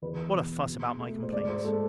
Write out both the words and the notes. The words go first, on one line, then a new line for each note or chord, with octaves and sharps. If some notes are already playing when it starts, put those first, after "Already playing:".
What a fuss about my complaints!
E2 B4
B2
B2
A3
C5
G#2 D5
C5
G#3 A4